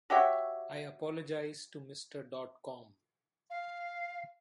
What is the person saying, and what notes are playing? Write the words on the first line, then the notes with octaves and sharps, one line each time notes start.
I apologize to Mr Dotcom.
F#4 G4 C#5 E5
F5